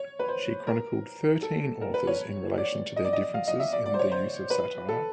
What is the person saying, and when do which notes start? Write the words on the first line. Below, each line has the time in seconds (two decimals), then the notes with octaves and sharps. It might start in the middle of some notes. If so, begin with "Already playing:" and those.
She chronicled thirteen authors in relation to their differences in the use of satire.
Already playing: C#5
0.19 B4
0.28 C5
0.67 A#4
1.43 A4
1.81 A#4
1.94 B4
2.07 C#5
2.58 D5
2.96 D#5
3.04 D5
3.13 D#5
3.34 F5
3.48 D#5
3.60 E5
3.73 D5
3.86 D5
3.94 C5
3.99 C#5
4.12 C5
4.50 B4
4.89 A4